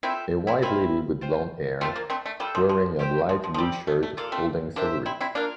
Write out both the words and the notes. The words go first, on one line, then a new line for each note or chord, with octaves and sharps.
A white lady with blondhair wearing a light blue shirt holding celery.
C4 E4 F4 A4 E5 G5
C4 E4
C4 E4 F4 C5 F5
F4 C5 G5
A3 C4 F4 C5 F5 A5
A#3
A3 C4
A3
G3 F4 A4 E5 G5
F3
F3
G4 C5 E5 G5
F3
F3
F3
G3 C4 G4 D5
A3
A3
A#3 F4 A4 D5 F5
A3 C4
A#3 D4 G4 C5 E5
C4 E4
C4 E4
A#3 D4 F4 A#4 F5